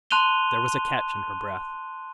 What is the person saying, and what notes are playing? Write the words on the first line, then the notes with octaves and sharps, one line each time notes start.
There was a catch in her breath.
A5 C6 F#6 D#7 F7 G7